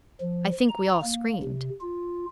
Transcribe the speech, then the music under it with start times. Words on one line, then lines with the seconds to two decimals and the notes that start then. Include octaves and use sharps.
I think we all screamed.
0.21 F3
0.69 A#5
1.02 A#3
1.43 C3
1.81 F4